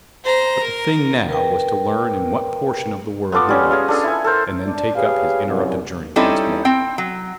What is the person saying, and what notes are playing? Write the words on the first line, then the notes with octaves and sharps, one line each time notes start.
But the thing now was to learn in what portion of the world he was, and then take up his interrupted journey once more.
C5 A#5
A#4
A#4 B4 G5
B3 F4 A4 D6
G3 C#4
G#4 D#5 F5
D4 A4 D#6
E4 G#5
A4 A#4 C5
D4
G4 G#4 B4 C#5 F5
C2 F#2
G3 C4 C#4 D#4 E4 A4
C4 G5
F#3